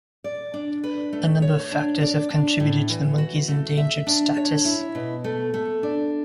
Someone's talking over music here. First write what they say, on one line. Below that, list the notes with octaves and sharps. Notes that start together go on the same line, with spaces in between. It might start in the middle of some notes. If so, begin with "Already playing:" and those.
A number of factors have contributed to the monkey's endangered status.
D5
D4
B4
A3
C#5
D4
D5
D4
A2
E3
F#4
A3
E5
D4
C#5
E4
B2
A3
A3
D4